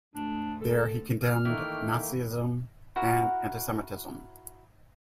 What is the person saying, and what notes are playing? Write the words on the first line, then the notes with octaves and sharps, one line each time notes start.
There, he condemned Nazism and antisemitism.
D2 G#2 A3 D4
A4
F6
D#3 E3 A3 A#3 G5
E4 F#4 A#4 F#5